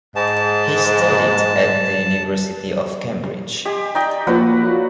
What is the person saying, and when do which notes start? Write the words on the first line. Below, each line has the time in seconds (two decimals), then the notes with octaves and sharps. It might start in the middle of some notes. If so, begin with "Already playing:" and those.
He studied at the University of Cambridge.
0.16 G#2 A5
3.65 G4 D#5 G#5 C6
3.95 D#4 D5 G5
4.27 F3 F#3 A#3 F4 B4 F#5
4.63 F4 F#4